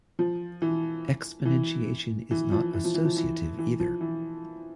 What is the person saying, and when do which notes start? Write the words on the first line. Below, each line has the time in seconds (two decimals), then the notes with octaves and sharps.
Exponentiation is not associative either.
0.19 F3
0.62 E3
1.45 E3
2.31 E3
2.51 F3
2.73 E3
2.84 F3
2.94 E3
3.05 F3
3.16 E3
3.58 E3
3.80 F3
4.01 E3